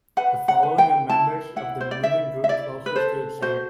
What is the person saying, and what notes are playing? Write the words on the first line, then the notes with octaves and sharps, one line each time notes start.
The following are members of the moving group closest to its center.
B4 F#5
F#5
B4
G5
E4 A5
E4 F#5
C5
D5
E4 E5
E5
E4 D5
B4
A4 C5
F#4 C5